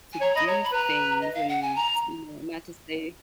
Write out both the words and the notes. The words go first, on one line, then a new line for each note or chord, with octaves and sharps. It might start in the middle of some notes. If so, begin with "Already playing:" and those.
to do things and, you know, not to say
G#5
C#5 A#5
D#5 B5
C#5 A#5
B5
B4 A#5
D#5
F5
F#5
G#5
A#5